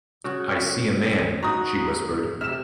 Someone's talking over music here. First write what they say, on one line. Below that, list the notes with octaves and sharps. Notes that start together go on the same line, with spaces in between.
"I see a man," she whispered.
C#3 F#4
D#4 F#4 A#5 D#6
C3 E5 F6 E7